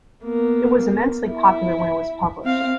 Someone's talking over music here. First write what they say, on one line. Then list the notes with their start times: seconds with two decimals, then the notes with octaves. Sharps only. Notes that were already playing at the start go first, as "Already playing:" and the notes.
It was immensely popular when it was published.
0.24 A#3 B3
1.27 E4
2.44 C4 F5